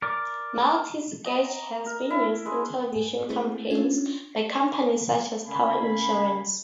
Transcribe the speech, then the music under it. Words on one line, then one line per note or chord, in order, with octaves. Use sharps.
Multi-sketch has been used in television campaigns by companies such as Tower Insurance.
A#4 D5
D#5
A#5
A#4
E4
G#3
G#2 G#4
A3 C4 E4 G#4
C#4 D4 F4
C#3 A#3 G#5 B5